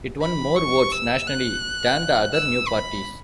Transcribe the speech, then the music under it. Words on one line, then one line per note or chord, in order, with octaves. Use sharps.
It won more votes nationally than the other new parties.
B5
C#6
E6
F#6
E6
B5